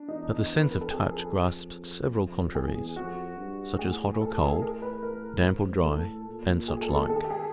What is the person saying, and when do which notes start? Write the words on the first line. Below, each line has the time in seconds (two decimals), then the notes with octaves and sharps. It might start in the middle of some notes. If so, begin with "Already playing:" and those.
But the sense of touch grasps several contraries; such as hot or cold, damp or dry, and suchlike.
Already playing: D4
0.08 E2 D#4
0.60 B4
0.71 A#4
0.81 A4
0.90 F2 G#4
1.32 F2
2.15 F2
2.55 E2 G#4
2.96 F2 F#4
3.38 G2
3.79 A2 G#4
4.21 A2 A4
4.42 G#4
4.52 A4
4.62 A#4
4.82 B4
5.03 A#4
5.45 G#2
5.85 A2 A4
6.26 A#2
6.68 G#4
6.82 A4
6.95 A4
7.09 D#3 A4
7.16 G#4
7.24 G4
7.30 G#4